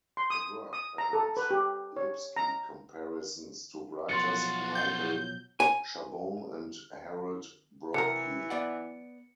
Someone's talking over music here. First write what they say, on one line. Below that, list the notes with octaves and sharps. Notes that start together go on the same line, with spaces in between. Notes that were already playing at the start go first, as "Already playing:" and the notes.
The work earned Lipsky comparisons to writers Michael Chabon and Harold Brodkey.
C6
D#6
D#6
A#5
A4
B4
G4
C#5
A#5
B2 F3 F#3 F4 F#4 C6 A6 C#7
G6
G#5
C3 E3 F#3 A#4 C#7
B3 D5 F#5